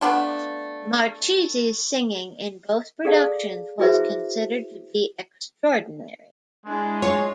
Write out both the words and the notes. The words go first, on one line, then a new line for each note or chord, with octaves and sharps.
Marchesi's singing in both productions was considered to be extraordinary.
A3 B3 D4 F4
G#4 A4 D5 F5 A5
E4 F#4 G#4 B4 C5 E5
G#3 D4 E4
F4 C#5